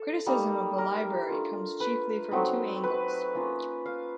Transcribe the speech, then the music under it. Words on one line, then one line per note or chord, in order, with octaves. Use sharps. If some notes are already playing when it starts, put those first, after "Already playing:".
Criticism of the library comes chiefly from two angles.
Already playing: A4
G3 A#3 D#4
A#4
A3 D4 F4
B4
F#3 A3 C4 D#4
B4
A#3 C#4 F4
F5